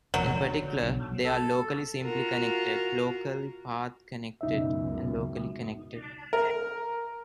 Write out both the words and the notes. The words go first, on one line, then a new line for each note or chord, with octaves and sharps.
In particular, they are locally simply connected, locally path connected, and locally connected.
E1 A#1 F#3
D3
B1
A4
F4 F#4 A#4
C#2 F#2 B2 D#4 E5
A#4